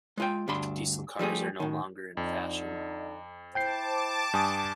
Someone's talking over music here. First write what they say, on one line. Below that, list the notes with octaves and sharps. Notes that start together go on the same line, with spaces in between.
Diesel cars are no longer in fashion.
G#3 F4 G5
D2 G2 D4 B5 C6
F3 G3 A3 G#4
A2 D#3
F2 D3 D#4
E4 C5 G5 A5 D6 G6 C7
G2 G#5 D#6